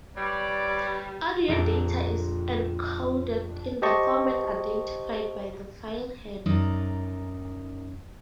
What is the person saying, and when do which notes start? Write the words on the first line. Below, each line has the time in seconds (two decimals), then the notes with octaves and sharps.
Audio data is encoded in the format identified by the file header.
0.17 G3 B4 C#5 D5
1.48 A#1 F2 D4 A4 A#5 D7
3.82 G4 C5 D#5 A5 C#6
6.46 F#2 D#4 D5